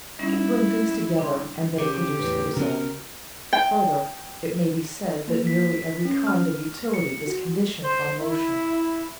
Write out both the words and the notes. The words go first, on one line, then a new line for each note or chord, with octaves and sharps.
He can bring things together and they produce the result. Further, it may be said that nearly every kind of utility is conditioned on motion.
G3 C#4 D#4 E4
D4 G5 C6
C#3 G4 D6
E2 A2 B4
C#3 B3 F#4 A#4
G5
A#3
B6
C#4
F6
C#7
F#4
C5
E4